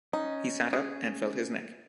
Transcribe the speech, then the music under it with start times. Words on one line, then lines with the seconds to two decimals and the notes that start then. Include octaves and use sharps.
He sat up and felt his neck.
0.13 C#4 D#4
0.73 G#4